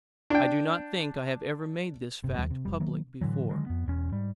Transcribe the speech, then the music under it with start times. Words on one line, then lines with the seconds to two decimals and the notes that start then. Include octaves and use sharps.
I do not think I have ever made this fact public before.
0.30 D4 G5
2.24 F#1 C3
2.38 D#2 G3
2.50 C3
2.65 F1 G3
2.80 D#3 F#3 A#3
3.21 A2 D3 E3 F#3
3.49 D3 D#3 F#3 G#3
3.66 F2 B3
3.86 E1 E2 C#4
4.11 G#2 G3